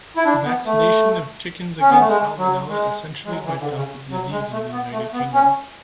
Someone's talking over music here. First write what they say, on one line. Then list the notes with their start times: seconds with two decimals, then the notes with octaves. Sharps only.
Vaccination of chickens against "Salmonella" essentially wiped out the disease in the United Kingdom.
0.17 E4
0.25 D4
0.45 B3
0.66 A3
1.81 C#4
1.89 B3
1.99 A3
2.08 G#3
2.38 F#3
2.69 G#3
3.25 G#3
3.29 F#3
3.45 E3
3.60 D3
3.76 C#3
4.11 F#3
4.31 G#3
4.52 A3
4.72 B3
4.92 A3
5.13 B3
5.33 C#4